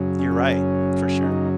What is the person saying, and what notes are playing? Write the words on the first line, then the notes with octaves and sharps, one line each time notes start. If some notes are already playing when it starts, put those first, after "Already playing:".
you're right. For sure.
Already playing: F#2 C#3 F#3
C#4
D#4